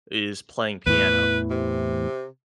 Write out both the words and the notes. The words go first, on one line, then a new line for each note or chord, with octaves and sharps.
is playing piano.
E2 A2 E3 B4
C3